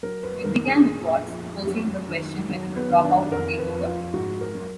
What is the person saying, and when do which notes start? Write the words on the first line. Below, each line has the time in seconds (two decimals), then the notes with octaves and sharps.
It began with Watts posing the question Whether to drop out or take over?
0.03 F#3 A#4
0.23 B4
0.44 D#3 A#4
0.65 G#4
0.85 A#2
1.26 F3
1.67 F#3
2.09 D#3
2.49 F#3
2.76 B3
2.90 D#3
3.04 D4
3.31 F2 A#4
3.59 B4
3.73 F3
3.86 F4
4.14 G#2 F#4
4.41 A#4
4.55 F#3